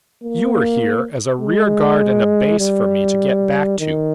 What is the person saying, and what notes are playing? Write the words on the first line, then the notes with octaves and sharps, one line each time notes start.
You are here as a rear guard and a base for me to get back to.
A#3
G#3
G3
D#3